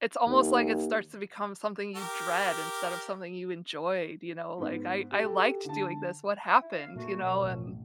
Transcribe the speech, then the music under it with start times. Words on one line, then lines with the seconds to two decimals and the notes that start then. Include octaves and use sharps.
it's almost like it starts to become something you dread instead of something you enjoyed, you know, like, "I I liked doing this. What happened?" you know, and
0.27 D#2
1.96 G4 A#4
4.58 G#2 B3
5.12 G3
5.23 F#4 G4 A4
5.65 D3 A5
6.61 E4
6.77 F5
6.96 A#2 A3 F#4
7.22 F#2 B2 F#3
7.40 E1 A1